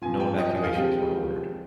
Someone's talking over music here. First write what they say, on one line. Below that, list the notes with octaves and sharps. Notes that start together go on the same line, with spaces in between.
No evacuations were ordered.
F3 C4 F4 G#5
G5
D#5
D#5
F5
F3 G#3 C4 G4 G5